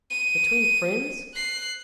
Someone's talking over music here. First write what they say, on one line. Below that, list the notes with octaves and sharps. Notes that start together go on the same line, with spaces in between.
Between friends?
D#7
F#6 C7